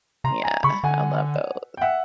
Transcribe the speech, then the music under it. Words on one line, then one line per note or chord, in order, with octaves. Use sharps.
Yeah, I love those.
C3 A#5 C6
G#5 A#5
C#3 B5 C#6
D3 F#5 G#5
G5
E5 F#5